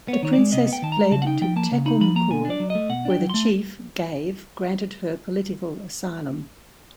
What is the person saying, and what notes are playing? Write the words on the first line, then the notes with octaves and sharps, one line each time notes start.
The princess fled to Tekkumkur where the chief gave granted her political asylum.
B3 C#5
D#3 C#5
D5
G#3
C3 D#5
B3
G5
D#3 A5
G#3 A#5
C#3 A5
F#5
D#4 G5
F3 G5
A#3 A5
C#3
D#4 B5
F3 B5
A#3 A#5
B2 G#5
D4
D5
F#3
A3 D#5
B2 F#5
D4 G5
F#3
A3 C6